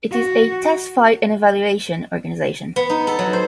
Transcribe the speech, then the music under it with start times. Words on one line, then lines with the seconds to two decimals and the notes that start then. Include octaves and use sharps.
It is a test flight and evaluation organisation.
0.11 F#4
2.76 B3
2.90 D#4
3.07 A4
3.19 F#3
3.33 C5